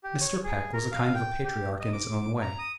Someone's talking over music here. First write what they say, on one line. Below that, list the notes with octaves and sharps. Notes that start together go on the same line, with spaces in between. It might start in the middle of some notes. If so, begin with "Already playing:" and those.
Mr. Peck was a kind of a patriarch in his own way.
G4
C#5
G#4
A#4
F5
G5
G4
D#5
D6
A#5
D#6